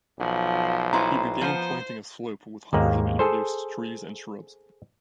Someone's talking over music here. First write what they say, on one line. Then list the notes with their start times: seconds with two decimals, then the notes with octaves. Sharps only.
He began planting a slope with hundreds of introduced trees and shrubs.
0.20 B1 F3
0.93 B3 E4 C5 A#5
1.41 F3 B3 C5
2.73 D#2 G#2 A#3
3.19 G#4 A4 C5